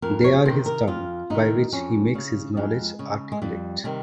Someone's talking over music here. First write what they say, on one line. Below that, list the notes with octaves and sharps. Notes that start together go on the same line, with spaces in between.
They are his tongue, by which he makes his knowledge articulate.
F2 A#4
C#5
C3 D#3 C5
A#4
F2 F4
C3 D#3 D#4
F2 C#4
C#3
F2 G#3
C#3
G#3
F2 G3
C3 D#3 G3